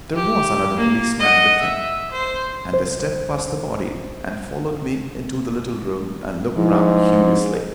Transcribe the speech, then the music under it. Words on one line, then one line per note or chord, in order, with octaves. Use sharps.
There was another policeman with him, and they stepped past the body and followed me into the little room and looked round curiously.
G4
A#3
D#5 F#5
E5
C5
C2 C5
G#2 F3 E4